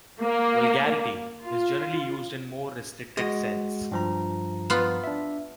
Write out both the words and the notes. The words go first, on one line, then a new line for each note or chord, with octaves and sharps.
"Vulgarity" is generally used in the more restricted sense.
A#3
F4
G#3 F#4 D#5
G2 F3 A#5
B3 F4
D4 E5